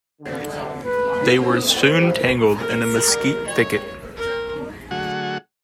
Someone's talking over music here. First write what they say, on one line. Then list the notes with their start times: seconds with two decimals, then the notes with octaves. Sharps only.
They were soon tangled in a mesquite thicket.
0.21 D3
0.85 B4
1.75 G3 E4 C5
2.58 A#4
3.47 C#5
4.16 A#4
4.91 D3 F#3 A3 F#4 G#4 F#5